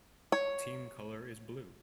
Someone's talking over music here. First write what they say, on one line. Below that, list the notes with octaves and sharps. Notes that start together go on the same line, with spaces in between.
Team colour is blue.
C#5